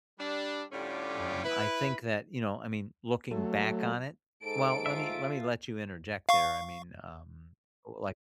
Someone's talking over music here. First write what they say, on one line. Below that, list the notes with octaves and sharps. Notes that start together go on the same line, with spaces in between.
um, I think that, you know, I mean, looking back on it well, let me let me let you interject there. I mean, um, like,
G3 D4
A2 D3 G3 C#4 F4 G4
E4 B4
F#3 A3
G#2 A4 D7
F4 E5
F5 C#6